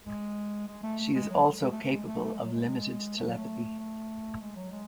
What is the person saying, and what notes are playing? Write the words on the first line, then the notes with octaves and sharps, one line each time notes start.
She is also capable of limited telepathy.
G#3
G#3
A3
A3
G#3
F#3
G#3
A3
A3
G#3
A3
A3
G#3
F#3
G#3
A3
F#3
A3
A3
G#3
F#3
G#3